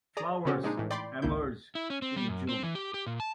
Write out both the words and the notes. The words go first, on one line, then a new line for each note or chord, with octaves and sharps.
Flowers emerge in June.
G#4 D5 A#5 D#6
C#3 F3 C4 C#4 F#4 G4
A#2 G#3 D4 D#4
A2 E3
D5 G5 B5 C6 D6
G#1 C#2 A#3 E4 G6
E4
C#4
C4
G3
F#2
C4
E3
G4
G4
A#2
A5